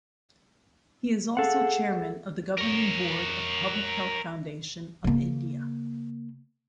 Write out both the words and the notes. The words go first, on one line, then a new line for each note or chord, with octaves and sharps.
He is also Chairman of the Governing board of Public Health Foundation of India.
G#4 A4 F5 F#5
A#4 C#5
C#3 A#3